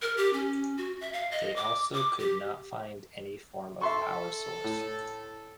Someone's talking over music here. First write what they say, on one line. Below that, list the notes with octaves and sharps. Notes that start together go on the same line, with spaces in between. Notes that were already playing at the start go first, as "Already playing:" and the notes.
They also could not find any form of power source.
A#4
G4
C#4
F#4
E5
F5
D#5
D6
D6
G4
A4 E5 C6 C#6
A2